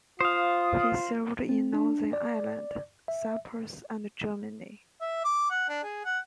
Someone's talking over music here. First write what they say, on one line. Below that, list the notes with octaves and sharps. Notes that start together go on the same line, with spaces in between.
He served in Northern Ireland, Cyprus and Germany.
F4 C5 F5 D#6
C4
D4
D5
E5
E5
D6
F#5
D4
G#4
F#5